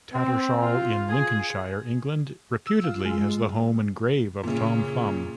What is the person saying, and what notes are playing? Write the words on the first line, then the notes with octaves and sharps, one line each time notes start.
Tattershall in Lincolnshire, England, reputedly has the home and grave of Tom Thumb.
C4
F4
G#4
E6
F4
G#3
A#2 C#3